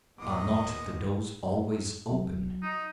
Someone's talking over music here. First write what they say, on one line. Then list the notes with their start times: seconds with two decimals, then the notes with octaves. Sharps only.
Are not the doors always open?
0.18 D#2 A#2 F3 G#3 B3 D#5 D6
2.12 F#3
2.62 D#4